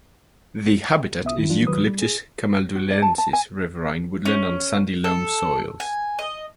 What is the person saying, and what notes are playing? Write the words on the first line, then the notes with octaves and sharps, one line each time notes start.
The habitat is "Eucalyptus camaldulensis" riverine woodland on sandy loam soils.
C2 B3 E5 D#6
D#2 D#3 E4
E3 F3 G3 D4 F4
C#2 D#3 F#3 B4 D#6
G3
G#4
F#4
D5
A5
A5
G#5
C#4
A4
G#5
D#5